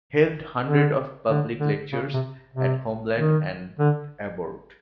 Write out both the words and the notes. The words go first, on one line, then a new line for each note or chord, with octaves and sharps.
Held hundreds of public lectures at homeland and abroad.
D3
D3
D3
C#3
C3
C3
D#3
D3